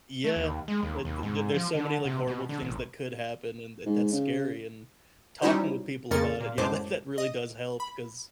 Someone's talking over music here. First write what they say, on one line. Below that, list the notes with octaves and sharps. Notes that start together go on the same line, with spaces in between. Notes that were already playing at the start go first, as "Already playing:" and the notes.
Yeah, tha th th there's so many, like, horrible things that could happen, and th that's scary, and talking with people about it, yeah, that that really does help 'cause
A3
D#2
G#3
D#2
D#2
G#2
F3
D3
C3
B2
D3
A1
G#2
C#3
G3 C#4 D#4 E4 F#4 C5
F2 C#3 A#3 A#4 A6 C#7
A#2
F#2 A2 G#3 C5 A5 D6
D#5
B5